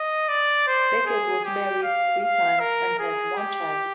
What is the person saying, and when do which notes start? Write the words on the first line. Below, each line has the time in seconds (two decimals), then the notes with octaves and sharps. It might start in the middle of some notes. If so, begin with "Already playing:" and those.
Beckett was married three times and had one child.
Already playing: D#5
0.29 D5
0.68 C5
1.06 G#4
1.44 G4
1.83 F5
2.22 F5
2.60 A#4
2.99 G#4
3.37 G4